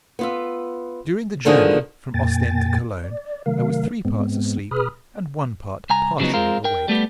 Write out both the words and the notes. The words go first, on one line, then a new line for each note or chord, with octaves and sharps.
During the journey from Ostend to Cologne I was three-parts asleep and one-part partially awake.
B3 F4 E5
G#2 B2 D3 D#3 F3 G#4
F2 A#2 A#3 G5 G#5 A6
D5
C3 D#3 F#3 A3 A#4 F5
G#2 G#3 B3 C4
B2 G#4 B4 B5 D#6 F6
C2 G#5 A#5
C#3 F3 F#3 G#3 B3 D#4
G#3 C4 F4 A#4
A#4 G5
G3 A3 B3 G4